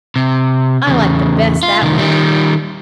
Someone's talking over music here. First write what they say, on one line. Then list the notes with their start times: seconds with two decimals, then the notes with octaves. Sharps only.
I like them best that way.
0.16 C3
0.87 E2 C#3
1.63 F4
1.82 C2 D#3
1.98 D#3 G3